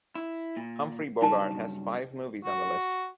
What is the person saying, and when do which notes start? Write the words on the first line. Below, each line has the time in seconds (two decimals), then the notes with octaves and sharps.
Humphrey Bogart has five movies on the list.
0.15 E4
0.57 A#2
1.22 G2 C#3 F#3 D#4 A5
2.44 F#4